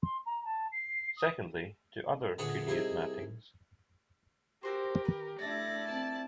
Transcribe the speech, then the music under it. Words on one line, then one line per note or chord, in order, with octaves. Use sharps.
Secondly, to other period mappings.
C6
A#5
A5
C7
D#6
D2 A#2 B3 G#4 B4 F#5
C2 D#4 E4 G#4
C4 F#4 G4 A#4 C5
D#3 B4
A3 D4 E4 A4 D5 A#5 A#6
C4 A#4 A5